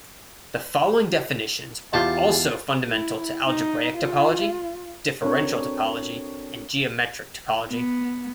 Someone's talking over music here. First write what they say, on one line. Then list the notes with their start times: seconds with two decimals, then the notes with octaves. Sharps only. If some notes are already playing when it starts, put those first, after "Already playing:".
The following definitions are also fundamental to algebraic topology, differential topology and geometric topology.
1.93 E2 F4 G4 A5
2.89 E4
3.47 D#4
3.97 F4
5.22 C4 D4 F#4 A4 A#4 C#5
7.70 B3